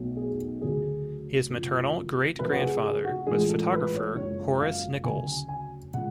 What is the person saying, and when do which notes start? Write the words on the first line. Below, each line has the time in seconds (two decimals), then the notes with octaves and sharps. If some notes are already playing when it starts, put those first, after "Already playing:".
His maternal great-grandfather was photographer Horace Nicholls.
Already playing: B1 B2 F#3 A3
0.17 G#4
0.61 D2 C#3 F#3 A3 G#4
1.50 F#2 C#3 F3 A3
2.38 F2 C#3 F#3 A3 B4
2.51 F#4
2.61 G#4
2.83 G#4
3.04 F#4
3.27 A1 A2 F3 G#3 G#4
3.49 A4
3.72 B4
3.94 C#5
4.16 F#1 F#2 F3 G#3 C#5
4.60 F5
5.04 D2 C#3 F#3 G#5
5.27 G#5
5.48 G#5
5.94 C#3 F3 G#3 F#5